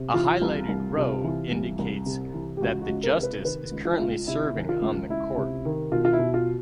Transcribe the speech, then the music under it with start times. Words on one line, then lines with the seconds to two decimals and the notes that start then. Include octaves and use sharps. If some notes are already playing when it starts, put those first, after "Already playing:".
A highlighted row indicates that the Justice is currently serving on the Court.
Already playing: C3
0.14 E3 F4
0.42 C2
0.69 C2
0.97 C3
1.24 E3
1.52 C2
1.79 C2
2.06 C3
2.34 E3
2.57 G4
2.61 C#2 F#4
2.82 F#4
2.89 C#2
3.03 A#4
3.16 C3
3.23 B4
3.44 D#3 B4
3.72 C#2
3.85 F4
3.93 E4
3.99 C#2 F4
4.27 C3 E4
4.54 D#3
4.69 F4
4.82 C#2
5.10 C#2 E4
5.37 C3
5.65 D#3
5.92 B2 F4
6.05 F4
6.13 E4
6.19 B2
6.34 F4